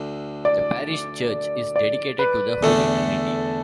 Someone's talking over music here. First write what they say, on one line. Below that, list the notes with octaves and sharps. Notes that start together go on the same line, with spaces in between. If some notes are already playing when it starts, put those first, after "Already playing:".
The parish church is dedicated to the Holy Trinity.
Already playing: D2 D3
D5
D5
B4
E2 D3 A3 A4